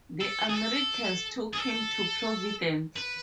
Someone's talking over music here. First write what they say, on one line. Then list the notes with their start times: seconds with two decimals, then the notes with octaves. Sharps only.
The Americans took him to Providence.
0.21 A4
0.50 G#4
0.55 A4
1.54 G#4
1.58 A4
2.96 B4